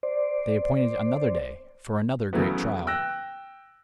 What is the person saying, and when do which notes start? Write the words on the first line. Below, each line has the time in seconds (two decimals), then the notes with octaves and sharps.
They appointed another day, for another great trial.
0.03 C5 D5
2.33 C#3 E3 F#3 A3 B3
2.87 G5 E6 F#6 A#6